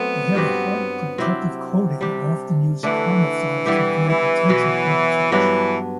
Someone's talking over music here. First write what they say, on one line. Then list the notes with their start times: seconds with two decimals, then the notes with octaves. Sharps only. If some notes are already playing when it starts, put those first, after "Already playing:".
They have a hard protective coating and often use camouflage to evade potential predators.
Already playing: F#3 A3 B3 C4
0.35 G2 F#3 C4 G4
1.17 C3 F#3 C4 E4 G4
2.01 G3 D4 G4
2.83 D3 E3 A3 D4
3.66 E3 G3 B3 E4 G4
4.08 E3
4.49 B2 F#3 B3
5.32 G2 E3 F#3 B3 D4